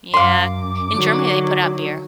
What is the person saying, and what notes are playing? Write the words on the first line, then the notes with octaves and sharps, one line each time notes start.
Yeah. In Germany, they put out beer,
F#2 F5 C6 D6
D3 D#3 F#3